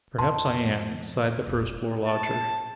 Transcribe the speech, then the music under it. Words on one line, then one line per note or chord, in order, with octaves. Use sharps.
Perhaps I am,' sighed the first-floor lodger.
F2 A5 C6
E1 A1
A5